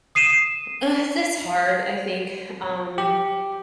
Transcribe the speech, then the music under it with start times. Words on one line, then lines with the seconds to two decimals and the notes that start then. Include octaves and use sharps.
Uh, it's just hard, I think. Um
0.15 D#6 C7 D#7 E7
2.98 G4